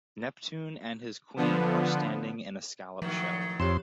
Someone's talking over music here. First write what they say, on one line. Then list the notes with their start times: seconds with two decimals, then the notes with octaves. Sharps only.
Neptune and his queen are standing in a scallop shell.
1.36 D3 F3 B3
3.02 A2 D#3 F3 F#3
3.60 F2 G4 C#5 C6 E7